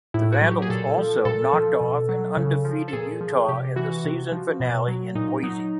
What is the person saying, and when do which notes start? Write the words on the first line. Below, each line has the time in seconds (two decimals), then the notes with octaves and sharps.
The Vandals also knocked off an undefeated Utah in the season finale in Boise.
0.14 A2 E4
0.32 F#4
0.42 F#3
0.51 G4
0.62 G#4
0.69 A#2 A4
0.98 F3
1.25 A#2 A4
1.53 F3
1.81 B2
2.09 F#3
2.37 C#3
2.65 F3
2.88 A4
2.93 A#2 G#4
3.21 F3
3.49 C3 G4
3.76 E3 F#4
4.04 C3
4.32 F3
4.60 B2
4.88 F#3
5.15 A#2 D#4
5.43 F#3 D#4